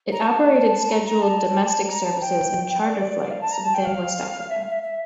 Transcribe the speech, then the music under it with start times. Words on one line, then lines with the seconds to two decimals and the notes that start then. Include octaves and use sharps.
It operated scheduled domestic services and charter flights within West Africa.
0.12 A#5
0.24 A5
0.89 A#5
1.06 A#5
1.22 A5
1.88 A#5
2.04 A5
2.21 G5
2.86 D5
3.19 D5
3.31 F5
3.41 A5
3.52 A#5
3.63 A5
3.74 G5
3.85 F5
4.50 E5
4.62 F5
4.71 E5
4.83 E5